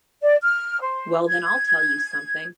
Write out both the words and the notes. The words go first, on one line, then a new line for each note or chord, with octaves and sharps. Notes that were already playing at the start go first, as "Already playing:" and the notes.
Well, then, I'll tell you something.
D5
F6
C5
G#6